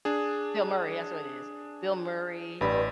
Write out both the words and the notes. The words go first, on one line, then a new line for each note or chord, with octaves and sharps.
Bill Murray, that's what it is. Bill Murray
D4 G#4
A1 G2 B5